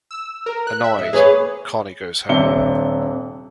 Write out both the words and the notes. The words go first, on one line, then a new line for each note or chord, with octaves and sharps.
Annoyed, Connie goes home.
E6
A#4
F#6
E5
D#5
A#3 G#4 B4 C#5
D#1 C3 D4 E5 C#7 G7